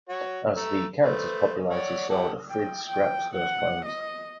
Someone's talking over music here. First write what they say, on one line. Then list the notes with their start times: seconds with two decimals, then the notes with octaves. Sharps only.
As the character's popularity soared, Frid scrapped those plans.
0.09 F#4 C#5
0.56 A3 A#5 E6
1.01 A3 B4 C5
1.70 C#5 D5 F#5
2.10 G4 A4 F#5
2.50 G5
2.88 G5
3.34 F#5
3.86 D#5